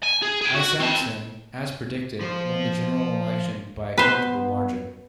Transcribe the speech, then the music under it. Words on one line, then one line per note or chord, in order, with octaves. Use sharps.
Isakson, as predicted, won the general election by a comfortable margin.
G#5
G#4
G#4 G5
F#4
C4 A5
F3 C5
B3 B4 C5